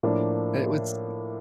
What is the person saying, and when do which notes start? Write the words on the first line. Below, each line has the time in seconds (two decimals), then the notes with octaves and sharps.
It was
0.03 A2 F3 A#3 D4